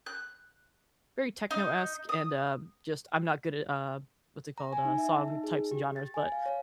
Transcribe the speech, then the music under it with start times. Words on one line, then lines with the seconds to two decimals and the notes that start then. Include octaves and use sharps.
very techno-esque and, um, just I'm not good at, uh, what's it called? Uh, song types and genres, but
0.06 F#6
1.51 D#4
2.09 D#6
4.58 A#5
4.73 G#5
4.85 D#4
4.98 E5
5.16 A5
5.28 D#4
5.44 G#4
5.71 G4
5.96 A6
6.14 G#5
6.32 F5
6.46 C#5